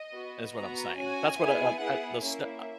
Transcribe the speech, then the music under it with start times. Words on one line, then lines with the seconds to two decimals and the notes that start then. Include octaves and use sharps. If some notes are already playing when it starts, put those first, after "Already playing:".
That's what I'm saying. That's what, uh uh, the Sn uh,
Already playing: D#5
0.13 B3 F#4
0.55 B3 F#4 A#5
0.97 C#4 F#4 G#5
1.39 B3 E4 G#4
1.80 B3 E4 G#4 F#5
2.22 A#3 C#4 E4 E5